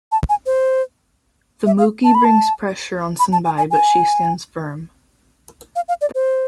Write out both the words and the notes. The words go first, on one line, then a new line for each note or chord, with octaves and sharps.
The "mukhi" brings pressure on Sonbai but she stands firm.
A5
G#5
C5
E5
F5
A5
B5
A5
B5
A5
G#5
G#5
G#5
F5
F5
D5
C5